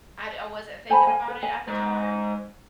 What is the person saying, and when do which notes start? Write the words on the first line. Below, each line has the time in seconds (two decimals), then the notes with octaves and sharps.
I'd I wasn't thinking about it at the time.
0.90 C5 G#5 A5 B5
1.07 G#5
1.28 B4
1.43 G#5
1.68 G#2